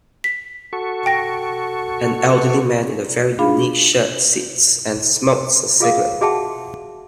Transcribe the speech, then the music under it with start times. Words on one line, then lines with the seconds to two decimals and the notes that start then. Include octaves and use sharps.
An elderly man in a very unique shirt sits and smokes a cigarette.
0.24 B6
0.73 F#4 A4 C#6
1.06 G5 A#6
2.39 B4
3.39 D4 F4 G#4 F5 B5
5.80 F4 G#4 F5 D#6
6.21 F#4 G#4 E5 F#5 G5 A5